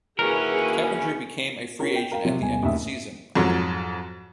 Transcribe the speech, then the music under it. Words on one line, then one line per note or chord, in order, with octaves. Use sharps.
Keppinger became a free-agent at the end of the season.
D#2 A#3 C#4 E4 F#4 G#4 A#4 B4
C#4 F4 G#4 A#4
G5
A#4 F5 G5 A#5
C3 F#3
D#1 B2 G#5
A1 D#2 C#3 E5 D#6
F2 G#2 F#3